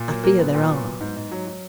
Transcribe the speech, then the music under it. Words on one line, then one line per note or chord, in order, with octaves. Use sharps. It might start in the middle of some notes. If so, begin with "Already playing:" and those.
I fear there are.
Already playing: A#2
F#3 A#3
F#3 A#3
A#2 B3
A#2
F#3
F#3
G#2
G#2
F#3
F#3